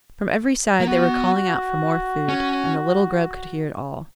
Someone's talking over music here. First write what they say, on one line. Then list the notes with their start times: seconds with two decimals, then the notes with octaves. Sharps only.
From every side they were calling out for more food, and the little Grub could hear it all.
0.80 A#3
0.87 B3 F#4
2.29 C#4